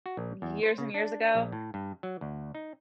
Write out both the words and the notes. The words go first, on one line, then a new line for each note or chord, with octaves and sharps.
Years and years ago,
F#4
A#1
E2
C5
C#3
D4
A#1
A2
G2
F#3
D2
D#4